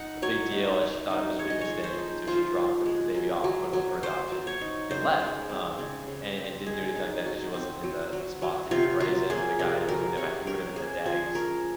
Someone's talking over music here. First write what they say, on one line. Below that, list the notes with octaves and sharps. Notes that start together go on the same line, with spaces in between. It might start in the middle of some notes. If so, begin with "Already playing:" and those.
a big deal, and she thought it was a big mistake, and so she dropped the the baby off, put him up for adoption, and left, um, and and didn't do anything like that 'cause she wasn't in the the spot to even raise him. The guy who wouldn't have he wouldn't have had a dad 'cause
Already playing: D#4 F#5
F#3 C#5
D#4
F#3
D#4
G#3 C#5
D#5
C#5
F3
C5
D#4
F3 F4
F3
G#3
F#3
F#3
F#3
F#3 C5
F#3
C#5
D#4
C#3 C5
G#3
C4
C#3
C#3
C4
D#4 G#4
D#4
F#3
C4
F#3
F#3
F#3
C3 F4
F#3 F4
A#3 G#4
C3 A#4
F#3 A#4
C3 C#5
C#4 A#4
A#3 G#4
F3 G#4
C#4 A#4